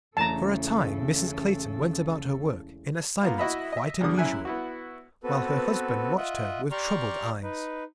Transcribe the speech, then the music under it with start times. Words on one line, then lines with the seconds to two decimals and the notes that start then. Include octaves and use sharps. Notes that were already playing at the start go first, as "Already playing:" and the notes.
For a time Mrs. Clayton went about her work in a silence quite unusual, while her husband watched her with troubled eyes.
0.17 E1 C#3 A3 A4 A5 A#5
3.23 A#3 B3 F4
3.38 E4 F#4 D#5 E5 B5
3.72 D#5 E5
4.01 E2 G2 D3 D#6
4.18 F#2 E4 E5 G#5 F#6
4.45 B3 E4 F#4
5.24 B3 C4 F#4 A4 B4
6.17 F4 D#5 E5 F#5
6.71 G4 D5 A#5 C6 C#6 F6
7.43 D#4 B4